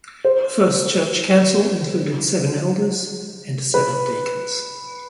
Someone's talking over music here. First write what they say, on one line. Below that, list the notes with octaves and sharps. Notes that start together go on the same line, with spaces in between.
The first church council included seven elders and seven deacons.
C5
B4